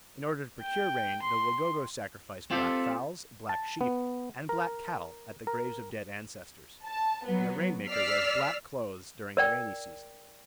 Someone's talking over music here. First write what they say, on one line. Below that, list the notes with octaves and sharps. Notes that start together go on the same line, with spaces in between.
In order to procure rain the Wagogo sacrifice black fowls, black sheep, and black cattle at the graves of dead ancestors, and the rain-maker wears black clothes during the rainy season.
G5
C6
C4 F4 G4 A4
A5
B3
A#4
A#4
A5
F#3 B3
D5 E6 F6 B6 C7
A#4 D5 G5